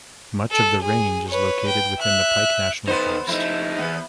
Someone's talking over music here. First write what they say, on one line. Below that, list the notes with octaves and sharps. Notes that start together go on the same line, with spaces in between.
Much of the range is located within the Pike National Forest.
A4
G#4
B4 C#5
G5
E5 F#6
B3 D#4 B4 C5
F2 D#4 E4
E2 B3